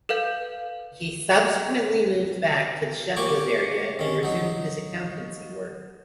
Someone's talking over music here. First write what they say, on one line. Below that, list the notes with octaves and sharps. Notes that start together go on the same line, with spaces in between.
He subsequently moved back to the Sheffield area and resumed his accountancy work.
A4 B4 F5 G6
A#3 G4 G#5 C#6 D6
D#3 C#4
F#3 D#4